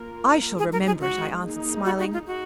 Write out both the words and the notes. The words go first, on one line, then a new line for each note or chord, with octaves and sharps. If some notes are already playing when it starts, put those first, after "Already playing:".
'I shall remember it,' I answered, smiling.
Already playing: A#3 F4 A#4
F3 G#3 D#4 G#4
A#4
G#4
F#4
A#3 D#4 G#4
F#4
F#4
F4
F#4